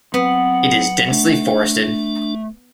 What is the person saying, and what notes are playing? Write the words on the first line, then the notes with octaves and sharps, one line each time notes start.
It is densely forested.
F#3 B3 C4
A3 D4